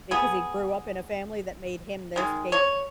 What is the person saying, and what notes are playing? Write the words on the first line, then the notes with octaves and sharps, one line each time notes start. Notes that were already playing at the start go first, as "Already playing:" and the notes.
because he grew up in a family that made him their scapegoat.
B3 G#4
D#3 G#3
C#5